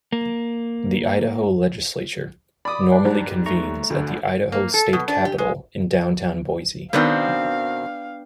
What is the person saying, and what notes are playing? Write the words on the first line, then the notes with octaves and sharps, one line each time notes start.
The Idaho Legislature normally convenes at the Idaho State Capitol in downtown Boise.
A#3
D5 B5 D6 D#6
D4
G#2 G3
A3 A#5 C#6
D2 D3
A#3
A4
B2
D4
G4
G#3
B2 D#3 B3 C4 D4 F5 G5